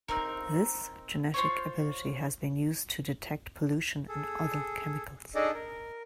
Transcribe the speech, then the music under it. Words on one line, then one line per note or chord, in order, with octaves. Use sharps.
This genetic ability has been used to detect pollution and other chemicals.
C4 D#4 A#4
F4 C5 C#5
G#4 A4
D4 D#4 G#4 A4 D5 D#5
A#4